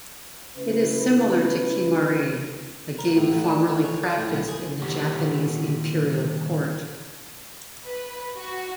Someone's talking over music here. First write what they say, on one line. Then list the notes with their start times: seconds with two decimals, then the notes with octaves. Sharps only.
It is similar to Kemari, a game formerly practiced in the Japanese imperial court.
0.57 C#3 A3 E4 B4
2.99 A#4
3.16 A2
3.28 A1
3.44 D4
3.68 D3
3.84 C#4
4.03 D5
4.17 A2
4.29 B1
4.48 G#4
4.81 A#2 D#3 G4 C#5 F#5
7.86 B4
8.37 F#4